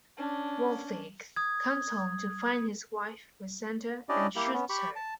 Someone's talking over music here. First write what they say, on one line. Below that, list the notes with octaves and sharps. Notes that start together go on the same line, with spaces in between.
Wolfy comes home to find his wife with Santa, and shoots her.
C#4 D4
D#6 G#6
C#4 D4 E4 G4 D5 D#5
A#3 E4 G4
B3 C#4
G4 B5 C#6
A5